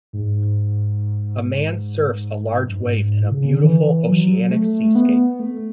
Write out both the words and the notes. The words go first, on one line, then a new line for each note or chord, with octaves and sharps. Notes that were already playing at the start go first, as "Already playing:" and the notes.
A man surfs a large wave in a beautiful oceanic seascape.
G#2
G#2
F#2
G#2
A2
C#3
C#3
D3
E3
F#3
A3
B3
A3